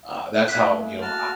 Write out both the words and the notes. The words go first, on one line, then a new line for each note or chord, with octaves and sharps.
uh, that's how, you know, I
A2 A#3 C6 F#6 B6
G#3
F#4 A5 F6